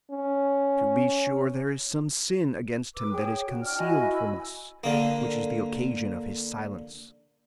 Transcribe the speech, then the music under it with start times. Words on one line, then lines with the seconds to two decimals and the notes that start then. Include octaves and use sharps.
To be sure there is some sin against him that is concealed from us, which is the occasion of his silence.
0.11 C#4
2.96 B4 D6 E6
3.11 G#4 C#5 G5
3.46 F#4
3.63 D4 D5 G5 F6
3.77 E4 F#4 D#5 G#5
4.12 G#5 B5 E6
4.84 D3 A#3